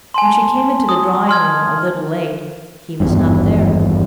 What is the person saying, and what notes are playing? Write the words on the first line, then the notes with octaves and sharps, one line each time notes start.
When she came into the drawing-room, a little late, he was not there.
G#5 A5 C6
D#6
C6 F6 G#6
G#1 E2 G2